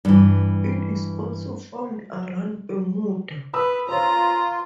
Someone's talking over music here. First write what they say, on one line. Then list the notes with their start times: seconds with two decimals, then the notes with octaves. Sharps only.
It is also found around Bermuda.
0.05 G2 E3
3.54 B4 B5 D#6 E6
3.89 F4 C5 C#5 A#5